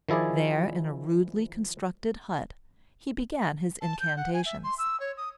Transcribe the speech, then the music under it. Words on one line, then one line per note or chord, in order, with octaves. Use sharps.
There, in a rudely constructed hut, he began his incantations.
D#3 F3 E4 G#4 D5
A5
G6
F#5
G#5
E5
C6
E6
C#5
D#6